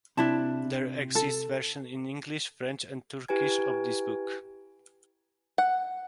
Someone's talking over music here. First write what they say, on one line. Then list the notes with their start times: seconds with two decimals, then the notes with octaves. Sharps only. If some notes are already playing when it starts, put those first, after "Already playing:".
There exist versions in English, French and Turkish of this book.
0.17 C3 D4 E4 A5
1.15 A4
3.28 E4 G4 B4 G#5 G#6
5.58 F#5